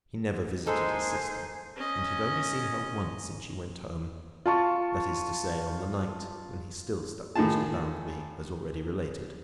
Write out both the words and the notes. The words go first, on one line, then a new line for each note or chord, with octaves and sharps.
He never visited his sister, and had only seen her once since she went home: that is to say on the night when he still stuck close to Bounderby, as already related.
G#3 A#3 D#4 A4 C5 G#5
C#4 D#5
F4 A5 C#6
A2 D#3 F4 G#4 A5